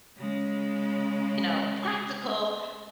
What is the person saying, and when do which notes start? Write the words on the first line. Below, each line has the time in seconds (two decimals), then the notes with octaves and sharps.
you know, practical,
0.18 C#3 G#3